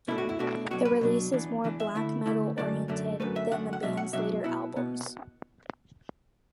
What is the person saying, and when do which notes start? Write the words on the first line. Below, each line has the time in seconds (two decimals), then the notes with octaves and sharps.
The release is more black metal oriented than the band's later albums.
0.08 B2 A3 D4 E4
0.18 F#4
0.29 E4
0.39 B2 A3 D4 F#4
0.71 B2 F#3 D4 F#4
0.85 B4
1.01 B2 F#3 D4
1.32 E2 E3 D4
1.64 E2 E3 D4
1.80 E5
1.95 D3 A3 E4
2.26 D3 A3 E4
2.57 F#2 D3 A3 D4 D5
2.88 F#2 D3 A3 D4
3.20 F#2 D3 A3 B4
3.36 E5
3.51 F#2 D3 A3 F#5
3.73 F#5
3.82 B2 F#3 D4 E5
3.97 F#5
4.13 B2 F#3 D4 E5
4.44 B2 B3 E4
4.76 B2 B3